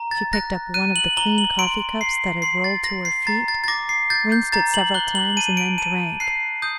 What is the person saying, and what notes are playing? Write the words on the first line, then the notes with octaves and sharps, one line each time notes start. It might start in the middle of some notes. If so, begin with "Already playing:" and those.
She picked up one of the clean coffee-cups that had rolled to her feet, rinsed it several times, and then drank.
Already playing: A#5
A6
F#6 A#6
F#6 D#7
F#7
A#5 G7
F#7
C6 D7
C6 C7
C6 C7
A6
C6 A#6
C7
A#5 A6
A6
A6
D6 A#6
C7
G6 A6
G6
A#5 A6
F#7
F#6 G7
F#7
A5 D#7
D7
A5 D#7
F#6 C7
D#6 G6